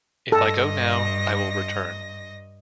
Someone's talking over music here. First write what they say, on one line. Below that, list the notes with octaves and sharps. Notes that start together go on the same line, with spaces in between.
If I go now, I will return.
G2 A4 D#5 A#6